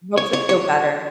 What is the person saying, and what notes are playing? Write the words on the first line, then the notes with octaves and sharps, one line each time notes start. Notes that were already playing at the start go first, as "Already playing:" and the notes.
helps it feel better.
C#5
C#5
C#5